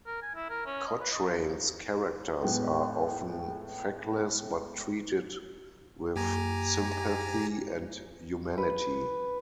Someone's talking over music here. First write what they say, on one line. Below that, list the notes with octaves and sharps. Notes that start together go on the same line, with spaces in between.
Cochrane's characters are often feckless, but treated with sympathy and humanity.
A#4
G#5
E4
A#4
C#4
D#5
B4
D#5
A2 G#3 B3
F#2 A#3 G4 G#5 A#5
B4